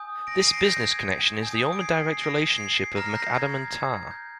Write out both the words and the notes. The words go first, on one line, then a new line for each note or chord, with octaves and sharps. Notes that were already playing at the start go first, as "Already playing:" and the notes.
This business connection is the only direct relationship of McAdam and tar.
Already playing: G#5 D#6 G6
A#6 D7
C7 D#7
A#6 D7
G6 A#6
G6
G#6
G#5 D#6 G6
D7
G#6 C7
C7
A#6 D7
G#6 C7
A#5 F6 A#6
C7
G6 A#6
G#6
G#6
G6